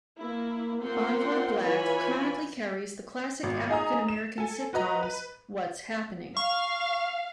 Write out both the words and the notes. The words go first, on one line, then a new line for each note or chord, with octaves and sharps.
Encore Black currently carries the classic African American sitcoms What's Happening!!
A#3 E4
A#3 C4 F4 F#5 G5 C6
E3 E4 F4 C#5 G#5 B5
G#1 B2
D#4 G#4 D#5 G#5 A#5 D#6
E7
A4 G#5
F#4 B4 D#5 A#5
B4
F5 C#6